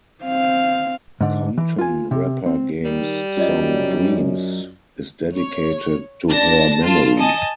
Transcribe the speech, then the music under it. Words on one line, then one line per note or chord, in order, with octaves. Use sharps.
Compton rapper Game's song "Dreams" is dedicated to her memory.
C4 F5
G#2 D3
E3
F4 G#5
C3
C4
D#3 G3
F#2 F#3 F4 D5 D#5
C#5
D4 A5 A#6
F4 A5
D#5 G#5 A5